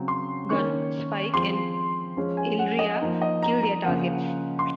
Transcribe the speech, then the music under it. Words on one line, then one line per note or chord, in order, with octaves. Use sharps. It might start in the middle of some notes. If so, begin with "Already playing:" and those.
Gunn, Spike, and Illyria kill their targets.
Already playing: C#3 F#3 C4
C6
D#3 A#3 C#4 C#6
F3 G#3 C4 C6
F3 G#3 C#4
G#5
F#5
D#5
F3 A#3 D#4
D#5
A#5
A#5
C#3 F3 A#3 F#5
C6